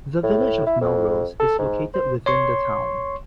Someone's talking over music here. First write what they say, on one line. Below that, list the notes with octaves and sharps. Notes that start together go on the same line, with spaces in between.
The Village of Melrose is located within the town.
A2
E4
F2
A4
G#2
C5
C#5 C6 C#6